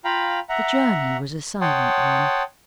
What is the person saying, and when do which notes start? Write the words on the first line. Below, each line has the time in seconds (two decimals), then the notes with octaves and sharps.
The journey was a silent one.
0.05 F4 F5 G5 A#5 B5
0.49 E5 F#5 A#5
1.61 C#5 F#5 G5 A5 C6 D#6